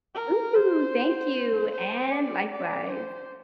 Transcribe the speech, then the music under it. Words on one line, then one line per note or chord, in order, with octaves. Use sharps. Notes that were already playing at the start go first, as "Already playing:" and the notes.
Ooh, thank you, and likewise.
A#4
C5
C5
D5
D5
C5